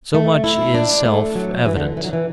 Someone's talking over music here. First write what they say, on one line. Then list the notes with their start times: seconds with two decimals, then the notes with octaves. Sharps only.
So much is self--evident.
0.14 A3
0.44 E4
0.74 D4
1.05 A3
1.35 F#3
1.66 E3
1.76 D3
1.97 E3
2.04 F#3
2.13 E3